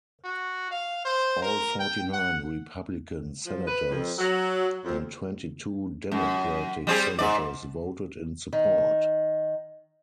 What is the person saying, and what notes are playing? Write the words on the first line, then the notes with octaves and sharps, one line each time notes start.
All forty-nine Republican Senators and twenty-two Democratic Senators voted in support.
F#4
F5
C5
A#4
G5
F#5
F3
B4
F2
F#3
F2
F#2
G3 C4 G#4
G#2 D5
D#3